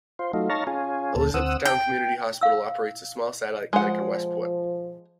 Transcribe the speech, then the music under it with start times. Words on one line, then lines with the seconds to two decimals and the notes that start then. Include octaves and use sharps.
Elizabethtown Community Hospital operates a small satellite clinic in Westport.
0.19 F4 C5
0.33 F#3 A3 D#4 F4
0.50 D#4 C#5 F5 A5 A#5
0.67 C#4 F4 G#4
1.15 D2 A#2 A4
1.34 D2 C4 F#5 D#6 E6
1.65 G5
2.41 F5 E6
3.73 F3 G#3 F#5